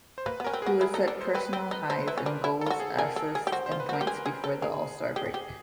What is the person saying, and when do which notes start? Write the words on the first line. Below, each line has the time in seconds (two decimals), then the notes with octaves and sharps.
He would set personal highs in goals, assists and points before the All-Star Break.
0.18 C5
0.26 A#3 B4
0.40 B3
0.44 C#4 A#4
0.53 C4
0.62 F#4 G#4
0.80 E4 G#4
0.94 D#4 A4
1.08 D4
1.21 C5
1.35 C4 B4
1.53 C4
1.71 D#4
1.90 D#4 C5
2.07 E4 B4
2.18 C#4
2.26 D4 A#4
2.44 E4
2.61 A4
2.66 F4
2.70 F#4
2.80 G#4
2.98 G#4 A#4
3.16 A4
3.35 G#4
3.47 G4
3.52 F#4 C5
3.66 C5
3.71 F4
3.80 B4
3.89 F#4
3.93 A#4
4.01 G4
4.07 G#4
4.26 G#4
4.44 A4
4.62 G#4 A#4
5.16 G4 G#4
5.34 G4